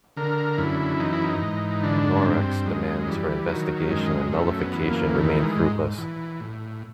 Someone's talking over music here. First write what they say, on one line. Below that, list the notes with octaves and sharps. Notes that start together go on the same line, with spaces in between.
Norex' demands for investigation and nullification remained fruitless.
D3 A#4
F#2 E4
E3 D#4
E4
D#4
G#2
D3 D4
C#4
G2 C4
F#2 G#3
E3 G3
D#3 F#3
F#2 G#3
F#2 A3
B3
E3
A#3
D#3 A3
A3
G#3
G#2
E3
A2